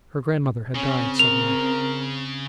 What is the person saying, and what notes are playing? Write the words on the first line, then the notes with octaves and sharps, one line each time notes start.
Her grandmother had died suddenly.
C#3 C4 C#4
A#4 F7